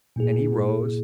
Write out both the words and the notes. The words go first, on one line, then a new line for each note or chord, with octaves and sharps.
And he rose.
A#2 A#3 E4 G#4